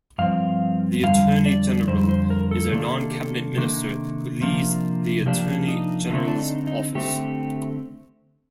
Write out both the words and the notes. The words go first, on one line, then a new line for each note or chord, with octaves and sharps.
The Attorney General is a non-cabinet minister who leads the Attorney General's Office.
G2 F3 C4 F5
F2 D3 G3 F5
D5
F2 D3 G3 C5
C5
A#4
A4
C3 D#3 A#3 D4 A4
G4
A4
C3 D#3 A#3 D4
C3 F3 A#3 D4
C3 F3 A#3 D4 G4
D#4
D3 A3 C4 D#4
D4
D#4
D#4
D3 A3 C4 G4